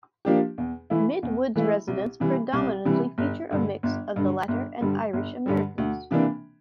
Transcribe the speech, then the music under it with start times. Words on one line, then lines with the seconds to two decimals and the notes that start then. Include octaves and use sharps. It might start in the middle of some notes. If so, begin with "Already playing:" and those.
Midwood's residents predominately feature a mix of the latter and Irish Americans.
0.25 F3 A#3 D4 G4
0.58 E2
0.90 E3 A3 E4
1.23 E2
1.56 E3 A3 E4
1.88 C2
2.20 C3 E3 G3
2.53 C2
2.85 C3 E3 G3
3.18 G1
3.51 G2 D3
3.83 G1
4.16 G2 D3
4.48 G1
4.81 G2 D3 G3
5.13 G1
5.46 G2 D3 G3
5.78 D2
6.11 C3 E3 A#3 D4